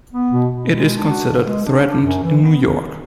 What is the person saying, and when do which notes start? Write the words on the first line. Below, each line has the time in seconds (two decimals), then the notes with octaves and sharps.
It is considered threatened in New York.
0.13 B3
0.32 B2
0.51 B2
0.71 G#3
0.90 D4
1.08 F#4
1.27 C#3
1.47 G#3
1.66 D4
1.86 D4
2.05 F#2
2.23 E3
2.43 B3
2.62 E2